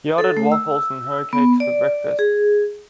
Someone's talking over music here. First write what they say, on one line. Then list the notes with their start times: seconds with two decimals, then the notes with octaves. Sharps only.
He ordered waffles and hoe-cakes for breakfast.
0.18 A4
0.37 A3
0.52 E6
1.33 B3
1.60 D5
2.19 G#4